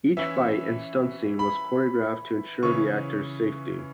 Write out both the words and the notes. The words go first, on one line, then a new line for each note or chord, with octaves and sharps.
Each fight and stunt scene was choreographed to ensure the actors' safety.
E3 C#4 E4 E5
B5
C#3 E3 C#4 C#6